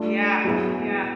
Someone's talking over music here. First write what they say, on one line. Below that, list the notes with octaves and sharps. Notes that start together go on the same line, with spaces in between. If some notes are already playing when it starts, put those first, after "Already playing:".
Yeah, yeah.
Already playing: A3 D4 F4
F#3 B3 E4 G#4 B4